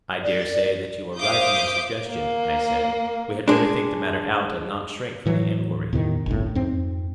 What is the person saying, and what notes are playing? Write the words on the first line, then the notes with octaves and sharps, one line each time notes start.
I dare say that you are right in your suggestion, I said; we had better think the matter out, and not shrink from the enquiry.
D5
C5 E5 F5 D6 D#6 G6
A#3
G#3 D4
A2 E3 F#3
E2 A2 C3 D#3
G1 C2 A2
F2 G#2 C4